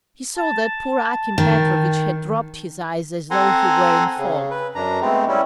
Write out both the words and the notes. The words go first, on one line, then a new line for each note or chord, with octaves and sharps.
He saw that poor Akim Petrovitch had dropped his eyes as though he were in fault.
A5
D#3
C4 A4 F#5 G#5 A#5 C6
C#3
B4
F#2 D4 A#5
G#3 A3 B3 C4
G3 C#4 E4